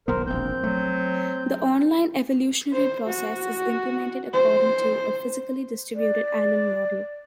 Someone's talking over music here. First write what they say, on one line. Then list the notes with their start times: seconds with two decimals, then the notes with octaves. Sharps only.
The online evolutionary process is implemented according to a physically distributed island model.
0.08 D#1 B1 B3 A#4 C5
0.27 E1 A#1 C4 G6
0.64 F#3 A3
2.72 C5
3.07 F#4
4.33 C5
5.94 D5